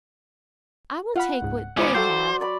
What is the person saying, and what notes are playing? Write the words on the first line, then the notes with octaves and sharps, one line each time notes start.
"I will take what they have."
F4 F5 F#5 B5
C#2 G#2
G#3 B3 C#4 F4 C5 D5 C6
F#3 A4 C5 F5 G5
C#5 D5 B5